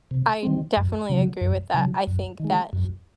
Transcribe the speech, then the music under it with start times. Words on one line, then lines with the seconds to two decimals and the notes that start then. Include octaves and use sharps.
I definitely agree with that, I think that,
0.11 C3
0.43 D#3 G3 C4
0.77 F#2
1.10 C#3 F#3
1.41 F#2
1.74 C#3 F#3
2.07 F#2
2.40 D#3 G#3
2.73 F#2